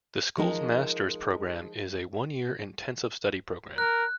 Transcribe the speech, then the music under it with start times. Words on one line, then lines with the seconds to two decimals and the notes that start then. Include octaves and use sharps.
The school's master's program is a one-year intensive study program.
0.37 F3 G#3 D#4 A#4
3.78 A#4 F#6